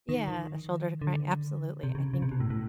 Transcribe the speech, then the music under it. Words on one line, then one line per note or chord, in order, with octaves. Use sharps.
Yeah, a shoulder to cry absolutely, I think
D#3
D#3
D3
C3
C#3
C#3
C3
B2
A2
A2